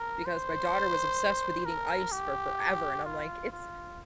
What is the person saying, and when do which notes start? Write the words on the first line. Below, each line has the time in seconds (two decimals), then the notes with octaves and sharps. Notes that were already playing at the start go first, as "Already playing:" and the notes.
because my daughter was obsessed with eating ice for forever, and I'm, like, "It's
Already playing: A#4
0.26 C5
1.66 A#4
2.12 G4
3.05 F4
3.52 F4